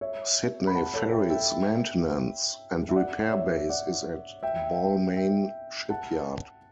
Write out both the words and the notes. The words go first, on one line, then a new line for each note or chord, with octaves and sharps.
Sydney Ferries maintenance and repair base is at Balmain Shipyard.
C#5 E5
B5
F#5 A5
A4 C#5
E5 G5
E5 G5
E5
D5 F#5
D5
C#5 E5
D5 F#5
E5 G5
E5 G5
F#5 A5